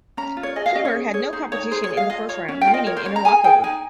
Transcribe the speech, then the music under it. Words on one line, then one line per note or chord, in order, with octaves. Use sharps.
Tremeer had no competition in the first round, winning in a walkover.
C#4 A#5
F4
C#5
G#4 D#5
F5
C#4 D#5
C#5
G#4
G#4 C#5
D#4 C5
D#4 C#5
G#4 C5
C#5
G#4
F5
F4 D#5
F4 C#5
C#4
G5
F4
D#5
A#4 C#5
C5
C#4 C#5
A#5
G#4 G#5
G#4 G5
D#4 G#5